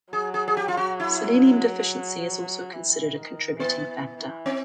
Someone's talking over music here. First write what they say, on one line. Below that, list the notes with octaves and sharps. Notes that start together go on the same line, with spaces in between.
Selenium deficiency is also considered a contributing factor.
F#3 G#4
G#4
G#4
G4
F4
F#4
E4
E3
D#3
E3 B3
E3
E3
C4